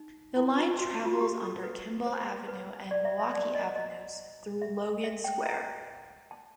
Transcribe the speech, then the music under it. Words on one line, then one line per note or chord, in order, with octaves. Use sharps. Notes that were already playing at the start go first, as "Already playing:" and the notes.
The line travels under Kimball Avenue and Milwaukee Avenues through Logan Square.
Already playing: D#4
E4
F4
F#4
F4
F#4
G4
A4
B4
C5
B4
D5
E5
E5
D5
D#5
D#5
E5
E5
G5
A#5
A5